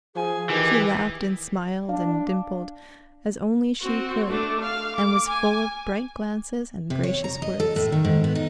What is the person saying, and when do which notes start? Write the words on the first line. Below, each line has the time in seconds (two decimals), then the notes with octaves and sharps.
She laughed and smiled and dimpled, as only she could, and was full of bright glances and gracious words.
0.15 F3 G#4 G#5
0.50 D#3 E3 G4
1.89 D4 F5
3.82 C4 F#4
4.29 A3 D4
4.61 F5
4.96 D6
5.29 G#5
6.90 C3
7.03 C#5
7.24 A#5
7.42 D#5
7.60 A4
7.76 A2
7.92 D#3
8.04 G#2
8.24 B3
8.35 D#4